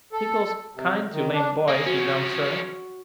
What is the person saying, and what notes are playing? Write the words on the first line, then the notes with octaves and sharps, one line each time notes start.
People's kind to lame boys, you know, sir.
A4
C3
D#3
D4
A#3 G#4
F3 C#4 F#4